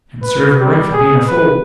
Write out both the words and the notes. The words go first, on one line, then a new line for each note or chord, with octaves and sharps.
And serve yer right for being a fool.'
B4
G3
G#4
B4